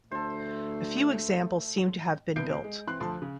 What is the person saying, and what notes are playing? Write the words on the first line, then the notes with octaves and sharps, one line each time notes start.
A few examples seem to have been built.
D2 A3 A4 C5
C2 B3 G6 C7 D7
G#3
E3 C4 C6 F#6
D2 F3 A4 A5 C6
C#3